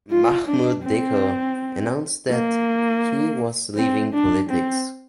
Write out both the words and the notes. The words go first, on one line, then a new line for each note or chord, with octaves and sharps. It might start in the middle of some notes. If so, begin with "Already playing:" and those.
Mahmoud Dicko announced that he was leaving politics.
F4
D4
C4
A#3
C4
D4
C4